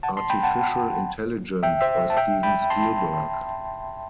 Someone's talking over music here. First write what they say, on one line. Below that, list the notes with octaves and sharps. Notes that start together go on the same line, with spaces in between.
Artificial Intelligence by Steven Spielberg.
F#5 A5
A5 C6
G5 B5
F#5 A5
E5 G5
C5 E5
A5
E5 G5
G5 B5
A5 C6